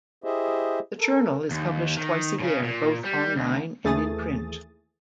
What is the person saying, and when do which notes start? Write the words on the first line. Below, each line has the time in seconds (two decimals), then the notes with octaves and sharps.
The Journal is published twice a year, both online and in print.
0.24 E4 G4 G#4 C5 D#5 E5
0.99 A4 A#4
1.51 D#2
1.97 D#3
2.40 A2 C#3
2.63 A#2
3.05 G3
3.36 D2
3.84 D#2 E3 A3 G#4 D#6 A6